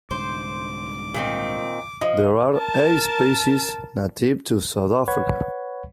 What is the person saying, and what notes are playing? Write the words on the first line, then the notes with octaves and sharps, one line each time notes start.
There are eight species native to South Africa.
C2 G#2 D3 C5 D6
A#2 D#3 C4
F3 D#5
A#4 A5
B4 C#5 F#5 B5 C#6 G#6